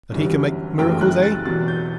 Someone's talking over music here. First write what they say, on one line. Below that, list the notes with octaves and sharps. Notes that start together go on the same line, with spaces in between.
That he can make miracles, eh?
G1 F#2 E3 G3
F#1 F#2 E3 A3 G5
F#6
A6
E1 E2 B2 F#3 A6
G6